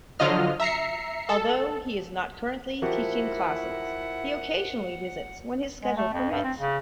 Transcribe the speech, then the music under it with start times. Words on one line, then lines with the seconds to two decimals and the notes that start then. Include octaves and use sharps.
Although he is not currently teaching classes, he occasionally visits when his schedule permits.
0.19 D3 F3 F#3 F4 D#5 F6
0.60 E5 A#5 C7 C#7
1.29 A4
2.82 F3 E4 F#4 G4 A#4 C5 F#5
5.83 G#3
5.97 A3
6.13 F2
6.31 G2
6.44 C4
6.58 C#3